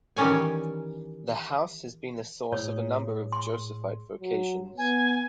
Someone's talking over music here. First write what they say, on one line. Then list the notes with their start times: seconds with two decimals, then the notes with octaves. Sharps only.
The house has been the source of a number of Josephite vocations.
0.16 D#3 E3 G3 C#4 C#5 G#5
2.52 A2 G#4 C#5
3.32 C6
4.21 F#3
4.78 B3 G#5